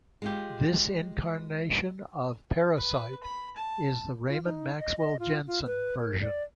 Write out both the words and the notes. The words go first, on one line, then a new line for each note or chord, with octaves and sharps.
This incarnation of Parasite is the Raymond Maxwell Jensen version.
G#3 F4 G4
B4
B5
A5
F4
D#4
D#5
D#5
F4
F4
B4
A#4
D5